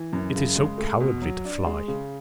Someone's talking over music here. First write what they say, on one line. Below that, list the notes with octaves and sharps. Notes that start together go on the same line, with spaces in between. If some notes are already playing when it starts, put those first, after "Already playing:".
"It is so cowardly to fly!"
Already playing: E3
F#2
C#3
G#3
A3
B2
F#3
D4
G#3
C#3